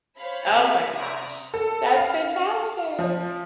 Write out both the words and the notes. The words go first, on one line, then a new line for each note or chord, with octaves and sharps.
Oh, my gosh. That's fantastic.
C5 C#5 F5 B5
C3 C#5 E5 F5 B6
D5 E5 F#5 A#5 D#6
A4
F5
F3